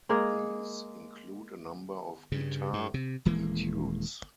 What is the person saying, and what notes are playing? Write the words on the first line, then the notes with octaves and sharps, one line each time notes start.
These include a number of guitar etudes.
G#3 A#3 G#4
G2 C#3
G2
C3
D#1 E3 G#3 A#3